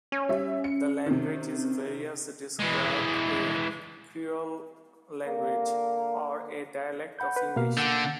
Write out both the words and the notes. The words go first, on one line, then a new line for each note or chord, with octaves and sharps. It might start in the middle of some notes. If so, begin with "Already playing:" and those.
The language is variously described a creole language, or a dialect of English.
C#4
G3 E5
C#7
C3 D#3
E3 G#3
D3 A#3
F#5 B5 G6
B4
B2 A#3 F5
D3 F#5 E6 G6